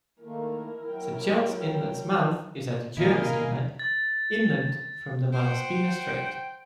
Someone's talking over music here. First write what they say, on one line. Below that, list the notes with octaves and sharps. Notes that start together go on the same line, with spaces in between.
Sechelt Inlet's mouth is at Jervis Inlet, inland from the Malaspina Strait.
D#3 A3 A#3 E4 A#4
F#3 G5
E2 A#2 D#3 E4 A#4 D#5 F5 G#5
A6
C5 F#5 G5